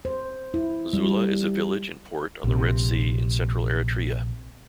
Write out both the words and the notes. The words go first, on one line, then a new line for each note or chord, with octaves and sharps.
Zula is a village and port on the Red Sea in central Eritrea.
C5
E4
G3
A#1 C3